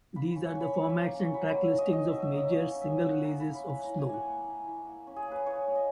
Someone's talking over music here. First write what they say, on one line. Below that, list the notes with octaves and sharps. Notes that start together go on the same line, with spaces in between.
These are the formats and track listings of major single releases of "Slow".
A#3 B5
C#4 B5
C#6
A#3
B5
E4 C#6
B5
A#3
A#5
C#4
C#6
F#3 B5
A#5
A#3 B5
E5
F#3
D#5
D#4 D#5
F#3 E5
E5
A#3
D#5
A#3 C#5
C#4
E5
A#3
E4 F#5
A#5
A#3
B5
C#4
B5
E4 B5
A#5
E4
G#5
A#3 F#5
A#3
E4
E4
A#3
C#4
G#4
A#3 B4
E4 C#5
A#3
D#5